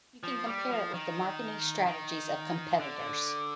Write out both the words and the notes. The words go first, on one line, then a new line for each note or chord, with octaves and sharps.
You can compare it with the marketing strategies of competitors.
F3
G3
F3
D#3
D#3
D3